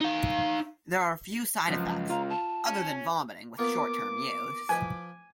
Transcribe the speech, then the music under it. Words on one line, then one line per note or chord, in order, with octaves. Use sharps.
There are few side effects, other than vomiting, with short term use.
D#4 F5
C#2 F#2 F3
F4 A#5
A5
C#4
A#3 B3 F4 D6
F3 B4 G#5 B5